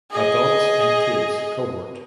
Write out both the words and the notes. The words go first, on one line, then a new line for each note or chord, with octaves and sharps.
Adults and Kids cohort.
G#4 D#5